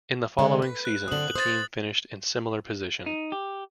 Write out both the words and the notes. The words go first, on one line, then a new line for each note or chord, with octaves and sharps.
In the following season, the team finished in similar position.
D3 G#3
B4
F#6
D3 C4 D#6 F#7
C5 D#6 A6
D#4
G4